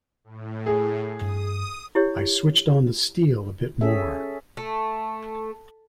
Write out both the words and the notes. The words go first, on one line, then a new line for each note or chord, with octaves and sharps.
I switched on the steel a bit more.
A2
G#4
G2 D#6
E4 G4 C#5
C#4 G#4 A4 E5
A3